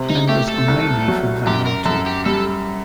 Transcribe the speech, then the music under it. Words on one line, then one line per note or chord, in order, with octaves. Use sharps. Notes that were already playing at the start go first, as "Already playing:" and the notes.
Members are mainly from Vanuatu.
Already playing: C3
D#4
A3 G4
A4
C2
F#3
F#2 G4
A#4
F#2 A4
G4
G3 A4